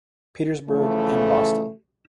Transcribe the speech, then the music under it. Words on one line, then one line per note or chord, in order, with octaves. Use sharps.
Petersburg and Boston.
C#3 E3 F3 A3